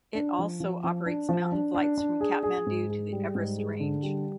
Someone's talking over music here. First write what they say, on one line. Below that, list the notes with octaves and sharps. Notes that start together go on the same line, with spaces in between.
It also operates mountain flights from Kathmandu to the Everest range.
D4
F3
F3
F3
D4
F3
D4
D4
D4
G#4
G#4
G#2
G#4
G3
G#2
G#4
D3
G3